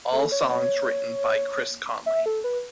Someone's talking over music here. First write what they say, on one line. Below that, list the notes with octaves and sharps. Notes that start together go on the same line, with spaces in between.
All songs written by Chris Conley.
A4
C#5
C#5
E5
A4
B4